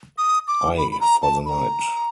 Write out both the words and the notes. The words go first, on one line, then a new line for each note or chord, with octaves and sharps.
Ay, for the night.
D#6
D6
B5
B5
A#5
A5
B5
A#5